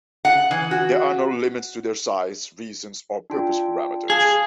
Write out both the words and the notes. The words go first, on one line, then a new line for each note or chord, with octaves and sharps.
There are no limits to their size, reasons, or purpose parameters.
F#5
E3
F#4
D4 F4 G5
G#4 F5 A5 D#6